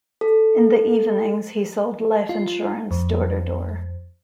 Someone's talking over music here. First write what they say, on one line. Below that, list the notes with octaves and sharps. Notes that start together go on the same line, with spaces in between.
In the evenings, he sold life insurance door-to-door.
A4
F4
F2